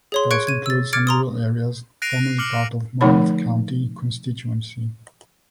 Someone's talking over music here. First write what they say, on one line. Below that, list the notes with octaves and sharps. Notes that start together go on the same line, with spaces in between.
It also included some rural areas formerly part of Monmouth county constituency.
G#4 C#5 C6
C#6 F#6 G#6 C#7 D7
G#6 D#7
E6 A6
D6 F6 G#6 A6 C#7 D7
A#5 C6 D#6
F#6 A#6 C7 D7 D#7 F7
D6 F6 C#7 F#7
D3 F3 A3 D#4 C#5 B5